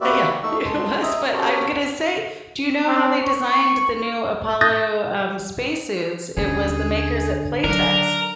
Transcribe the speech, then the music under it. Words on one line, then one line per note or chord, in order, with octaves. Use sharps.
Yeah, it was, but I'm going to say, do you know how they designed the new Apollo, um, space suits? It was the makers at Playtex.
A#3 F#4 G4 B4 D5 E5
A3 D#4 C#6 E6
G#3 A5 C6
D#5 E5 A#5
C#4 F#4 G4 A4 A#4 C5
C4
C#6
D#6 F#6 G6 A6 A#6
D#2 D3 C#4 G#4
F#3 D4 D#4 A#4